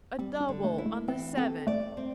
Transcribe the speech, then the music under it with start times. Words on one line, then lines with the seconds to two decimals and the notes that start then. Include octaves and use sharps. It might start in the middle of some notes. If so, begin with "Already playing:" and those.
"A 'double' on the seven!"
0.19 G3 C4
0.41 D4
0.49 D3
0.64 A3
0.78 E4
0.86 A3
1.08 E3 C4
1.37 C4 A4
1.67 A3 D5
1.97 C4